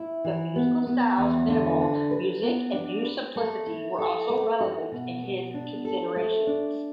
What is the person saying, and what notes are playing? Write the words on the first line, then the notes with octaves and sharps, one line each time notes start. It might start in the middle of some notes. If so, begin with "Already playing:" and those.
The musical styles Minimal music and New Simplicity were also relevant in his considerations.
Already playing: E4
E3
B3
B3
E2
D3
D4
B4
B3
D4
B4
A3
E4
A4
A3
F#4
B2
B3
D4
A4
A3
D4